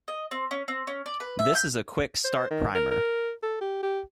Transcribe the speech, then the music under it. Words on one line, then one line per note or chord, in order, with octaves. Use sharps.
This is a quick start primer.
D#5
C4
C#4
C4
C#4
D5
B4
E5
G6
C5
D#3
A#4
A#4
A4
G4
G4